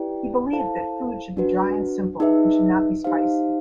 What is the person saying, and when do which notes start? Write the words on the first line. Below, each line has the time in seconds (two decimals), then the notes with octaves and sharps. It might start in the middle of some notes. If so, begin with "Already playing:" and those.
He believed that food should be dry and simple and should not be spicy.
Already playing: E4 G4 B4 D5 G5
0.52 E4 A4 C5 F5 A5
1.37 D4 F#4 B4
2.20 D#4 G#4 B4 E5
3.04 D#4 G4 C5 F5